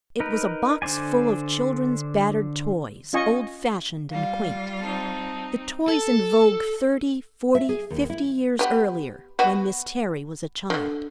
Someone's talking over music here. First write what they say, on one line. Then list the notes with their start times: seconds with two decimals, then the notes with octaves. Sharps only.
It was a box full of children's battered toys, old-fashioned and quaint; the toys in vogue thirty--forty--fifty years earlier, when Miss Terry was a child.
0.20 D#4 A#4 B4
0.82 D3 D4 C5 D5 G#5
3.13 C#4 F4 D#5 G#5 C#6
4.11 G3 F4 F5
4.82 C4 D#4 A5
5.88 A4
7.55 E5
7.69 G#4
7.90 D#2
8.10 E4
8.59 B3 G4
9.39 B3 F#4
10.70 D3 D#3